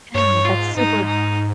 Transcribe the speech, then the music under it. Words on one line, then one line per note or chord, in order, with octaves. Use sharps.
Yeah, that's super
G2 C#5
G#2 F4
G#2 D#4
D#4